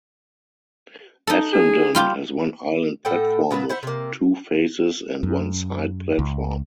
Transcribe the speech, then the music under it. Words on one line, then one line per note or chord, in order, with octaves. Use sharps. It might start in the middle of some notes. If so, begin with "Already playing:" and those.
Essendon has one island platform with two faces and one side platform.
D#4 A4
G#4
G3 F4 G4
A2 A4 F#5 G5
A#2 B3 B4 A5
E4 C5 E5 F#5
C3 A#3
F#2
C#2